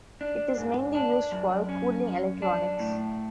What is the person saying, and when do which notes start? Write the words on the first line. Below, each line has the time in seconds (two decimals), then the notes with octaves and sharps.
It is mainly used for cooling electronics.
0.21 D4
0.58 G#2
0.95 D4
1.32 F#2
1.69 C#4
2.05 F#2
2.42 D4
2.80 A2